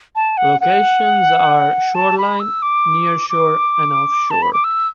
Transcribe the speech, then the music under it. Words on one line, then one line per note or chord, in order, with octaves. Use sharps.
Locations are shoreline, nearshore and offshore.
A5
F#5
F#5
A5
B5
E6
D6
D6
A5
B5
D6
E6